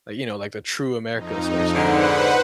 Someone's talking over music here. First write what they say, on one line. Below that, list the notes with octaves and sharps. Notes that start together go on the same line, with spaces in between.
like, you know, like, the true America, so to speak.
F2 D#4
G#2 D3 B4 C5 F#5